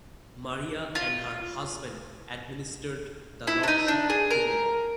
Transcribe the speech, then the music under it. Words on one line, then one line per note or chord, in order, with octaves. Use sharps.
Maria and her husband administered the lordship together.
F4
E4
D4
D#4
D4
G#4
A#4